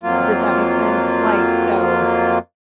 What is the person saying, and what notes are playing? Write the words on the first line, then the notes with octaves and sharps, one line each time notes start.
Does that make sense? Like, so,
F2 F#3 A#3 F4